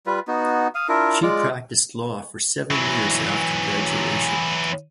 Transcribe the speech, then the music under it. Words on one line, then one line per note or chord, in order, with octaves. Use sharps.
She practiced law for seven years after graduation.
G3 F4 B4
B3 D#4 F#4
F5 D#6
D4 E4 F4 A#4
G#3 F4 D5
E3 F#3